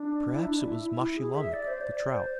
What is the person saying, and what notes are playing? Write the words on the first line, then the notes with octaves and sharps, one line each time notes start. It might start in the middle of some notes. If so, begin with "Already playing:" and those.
"Perhaps it was Maschilamek, the trout."
Already playing: D4
E4
D4
E4
E4
E4
G#4
E5
D5
C5
D5
D5
C5